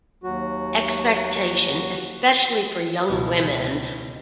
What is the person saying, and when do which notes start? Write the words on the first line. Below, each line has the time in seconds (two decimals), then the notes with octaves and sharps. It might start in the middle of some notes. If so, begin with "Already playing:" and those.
expectation, especially for young women,
0.23 D#2 F#3 F#4
3.09 C#2 B2 E4